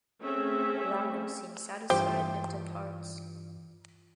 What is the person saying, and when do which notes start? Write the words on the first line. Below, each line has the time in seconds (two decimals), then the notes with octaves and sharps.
Lalo seems satisfied and departs.
0.21 A3 C4 C#4 G#4 E5
1.90 G2 E3 F4 G4 C5